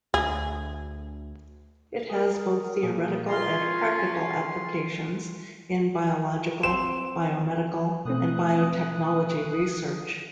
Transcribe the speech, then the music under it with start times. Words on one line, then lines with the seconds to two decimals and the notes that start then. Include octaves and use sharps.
It has both theoretical and practical applications in biological, biomedical and biotechnology research.
0.14 D2 G#4
2.09 G#4 A#4
2.83 A#2 G#4
3.28 C#4 F4 F5 A#5 C6
6.63 C4 E7
8.05 B2 A3 C4 D#6 F#6